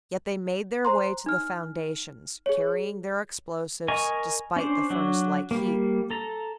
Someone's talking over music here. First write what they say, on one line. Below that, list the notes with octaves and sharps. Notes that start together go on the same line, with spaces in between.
Yet they made their way to the foundations, carrying their explosives, despite the furnace-like heat.
C5 A#5 C6
D#4 F6
G#4 C#5
A#4 D#5 G#5 C#6
C#4 D4 C5
F#3 D4 F#4
G3 A#3
A4 A#5